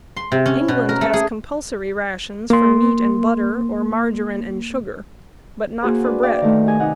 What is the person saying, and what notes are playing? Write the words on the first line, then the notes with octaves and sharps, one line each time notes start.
England has compulsory rations for meat and butter or margarine and sugar, but not for bread.
C6
C3
C#4
B2
A#4
A3
G#4
A#3 C6
A#3 F#4 G#4 C5
D4 B4
D5 F5 G5
D#3 A3
D#4 G4 G#5
C3 D#4 F#5 D#6